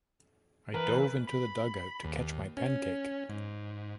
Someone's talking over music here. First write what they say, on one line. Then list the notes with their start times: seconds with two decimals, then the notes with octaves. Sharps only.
I dove into the dugout to catch my pancake.
0.74 E3 A#4 B4
1.27 B5
2.04 D#2
2.57 C#4
3.29 G#2